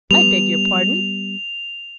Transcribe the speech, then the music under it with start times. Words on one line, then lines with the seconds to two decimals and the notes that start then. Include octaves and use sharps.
'I beg your pardon.
0.11 G3 B3 F7